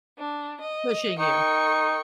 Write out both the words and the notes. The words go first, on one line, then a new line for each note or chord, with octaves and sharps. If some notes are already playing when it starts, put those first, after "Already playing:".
Pushing you.
D4
D#5
D#4 A#4 G5 C#6